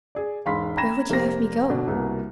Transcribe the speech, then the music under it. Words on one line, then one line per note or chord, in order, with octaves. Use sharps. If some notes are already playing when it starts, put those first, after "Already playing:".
"Where would you have me go?"
G#4 D5
E1 G#2 F5 B5 C6 B6
G5 A#5 B5 G#6 A#6 E7
F1 A#3 G4 C5 A#6
B2 D3 D4
C2 B2 A#3 B3